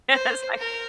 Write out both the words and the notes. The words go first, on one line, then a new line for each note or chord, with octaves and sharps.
It's like
C5
A#4